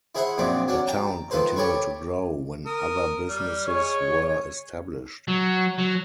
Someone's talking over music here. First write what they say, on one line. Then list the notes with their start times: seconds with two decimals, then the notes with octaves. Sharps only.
The town continued to grow when other businesses were established.
0.15 E4 G#4 C5 E5 F#5 B5
0.38 A#1 F#2 A#2 C4 D4 D6
0.68 F#3 C#4 D4
0.87 G5 A5 A#5
1.31 D#3 F3 A4 B4 C5
1.56 G4 A4 C#5 B5 C#6
2.66 A#4 D#6
3.29 G3 F6
3.68 G#3 C#5
5.28 F#3
5.79 F#3